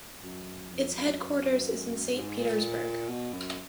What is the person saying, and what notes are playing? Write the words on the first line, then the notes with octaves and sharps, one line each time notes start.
Its headquarters is in Saint Petersburg.
F#2
F2
F#2
G#2
A#2
B2
F#2